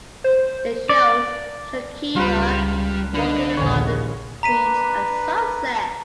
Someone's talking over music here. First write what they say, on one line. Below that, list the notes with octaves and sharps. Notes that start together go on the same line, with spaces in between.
It shows Shakira walking along a beach at sunset.
C5
D5
C#2 G3 F4 A#4 B4
D3 D4 D#4 B4
A#1 D#2 C#3 C#5 G#5
D4 B4 A#5 B6 D#7